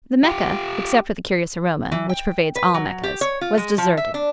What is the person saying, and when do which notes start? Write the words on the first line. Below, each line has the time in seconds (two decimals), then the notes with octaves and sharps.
The Mecca, except for the curious aroma which pervades all Meccas, was deserted.
0.24 F4 G4
1.92 E3
2.09 G5
2.56 B4
2.74 F#3
3.04 G4
3.21 C#5
3.41 F4
3.58 G#3
3.78 F3
3.97 E5
4.14 D4